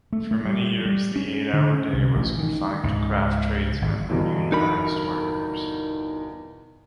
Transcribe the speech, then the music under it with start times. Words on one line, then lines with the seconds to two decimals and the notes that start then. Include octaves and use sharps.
For many years the eight-hour day was confined to craft tradesmen and unionised workers.
0.13 A3
0.31 A3
0.46 G3
0.86 G3
1.16 C#4
1.53 D3
1.74 C#4
1.93 C2
2.15 A1
2.38 D#3
2.84 C#2 G#2
3.82 G#1
4.09 G1 E2 B2
4.52 D#4 A#4 B5